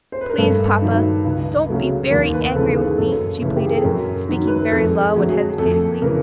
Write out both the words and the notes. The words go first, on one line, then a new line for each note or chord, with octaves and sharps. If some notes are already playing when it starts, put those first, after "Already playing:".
"Please, papa, don't be very angry with me," she pleaded, speaking very low and hesitatingly.
C5
B4
A#4
G2 A4
D#3 F#3 A3
C#2
C#3 F#3 A3
D#2 A#4
B4
C#3 E3 G#3 A4
G#4
F#2 A4
C#3 E3 A3
G4
G#4
A4
F#2 A#4
D#3 F#3
B4
A#4
F2 A4
G#4
D3 F#3 A3
G#4
F2 A4
C#3 E3 A#4